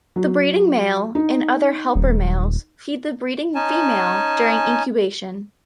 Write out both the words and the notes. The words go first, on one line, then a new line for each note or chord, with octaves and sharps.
The breeding male and other helper males feed the breeding female during incubation.
F#3
D#4
D#1
C#4 D#4 G#5 A5